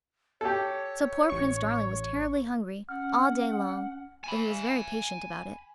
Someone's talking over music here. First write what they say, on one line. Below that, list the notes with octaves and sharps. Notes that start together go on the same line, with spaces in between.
So poor Prince Darling was terribly hungry all day long, but he was very patient about it.
G4 A4 C#5
A1 C#6
C#4 F#5 F6
G#5 B5